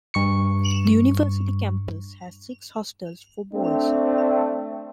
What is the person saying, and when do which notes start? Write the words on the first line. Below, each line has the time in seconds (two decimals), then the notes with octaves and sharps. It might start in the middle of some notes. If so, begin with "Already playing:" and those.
The university campus has six hostels for boys.
0.14 G2 C#6 C#7
3.53 A3 C4 D4